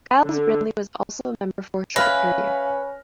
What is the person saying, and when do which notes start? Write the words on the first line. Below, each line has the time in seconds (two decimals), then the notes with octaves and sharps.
Giles Brindley was also a member for a short period.
0.24 D3
1.96 C#4 B4 E5 F5 G#5 B5 F6 A#6